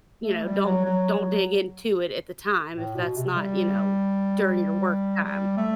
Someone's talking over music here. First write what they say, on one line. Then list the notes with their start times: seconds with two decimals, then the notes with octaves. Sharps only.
you know, don't don't dig into it at the time if that's not, you know, during your work time.
0.22 A3
0.43 G3
0.65 F#3
0.85 F#3
1.17 F#3
2.74 A2
2.95 B2
3.16 C3
3.37 G3
5.24 G3
5.57 A3